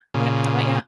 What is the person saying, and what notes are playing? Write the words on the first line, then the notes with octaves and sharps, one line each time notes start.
What how about you?
A#2 C#3